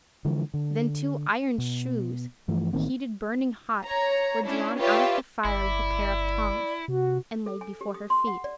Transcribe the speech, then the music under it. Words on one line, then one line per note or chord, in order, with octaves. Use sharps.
Then two iron shoes, heated burning hot, were drawn out of the fire with a pair of tongs, and laid before her feet.
D3 E3 F3 G#3
D3
B2
G2 E3 F3 A3
A1 D#3 A#3 C4
C#5 A#5
C#4 D4 E4
F4 G4 B4 C#5 D5 E5
G1 E4 D5
C3 F#4
A4
G#5
G4
D#6
C6
F#5
D5